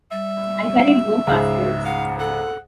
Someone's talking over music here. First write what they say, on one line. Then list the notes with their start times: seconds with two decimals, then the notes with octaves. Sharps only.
I carried no passports.
0.11 G3 E5
1.27 C#2 G#2 F5
1.85 F5 F#5
2.19 A4 F#5